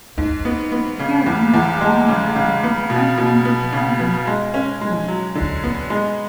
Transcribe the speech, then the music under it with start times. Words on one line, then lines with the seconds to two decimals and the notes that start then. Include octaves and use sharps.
Guerin was born in Dublin and attended a convent school.
0.18 G#2
0.45 B3
0.72 B3
0.99 C#3
1.26 E2
1.53 E2
1.81 G#3
2.08 C#3
2.36 C#3
2.63 B3
2.90 B2
3.18 B2
3.45 B3
3.72 C#3
3.99 B3
4.27 G#3
4.54 C#4
4.81 G#3
5.08 F#3
5.35 D3
5.64 B3
5.90 G#3